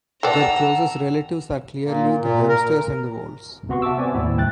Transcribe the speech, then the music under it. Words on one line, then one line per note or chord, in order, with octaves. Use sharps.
Their closest relatives are clearly the hamsters and voles.
A4 D5 F#5 G5 A5 A#5 E6
A#2
A#2
A#4
C3 B3 F#4 C6 C#6
E5 A5 C#6 D6 E6
B3 C4 D5 G#5
D#2 A2 E4
C2 G5 F#6 A6